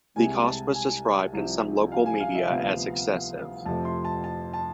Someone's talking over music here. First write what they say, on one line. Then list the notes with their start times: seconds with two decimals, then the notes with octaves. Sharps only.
The cost was described in some local media as excessive.
0.16 C2 C3 G#3 G#5
0.45 A5
0.75 G#5
1.33 C2 C3 F3
1.92 F5
2.06 G#5
2.20 F5
2.35 E5
2.49 D2 C3 F3 B3 F5
3.66 F2 C3 F3 A3 A5
3.85 C6
4.05 A5
4.24 A5
4.54 A5